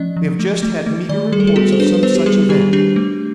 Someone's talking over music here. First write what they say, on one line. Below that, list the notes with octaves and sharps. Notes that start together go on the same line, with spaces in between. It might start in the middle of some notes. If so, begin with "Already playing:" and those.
"We have just had meagre reports of some such event."
Already playing: F3 A3 C#4 D5 D#5
F3
A3
A3
A3
D#3 D5
G3 G#4
A4
G#4
B3 F#4
C5
D4 B4
B4
B3 C5
G4
G3 G#4
D#3 G4
D4 G4
A3